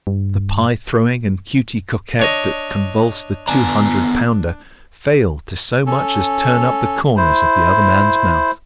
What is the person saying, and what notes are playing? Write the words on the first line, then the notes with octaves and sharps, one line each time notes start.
The pie-throwing and Cutey Coquette that convulse the two-hundred-pounder fail to so much as turn up the corners of the other man's mouth.
G2
D4 C#5 D#5
B3 D4 G#5 A#5
C#4 A4
E4 C5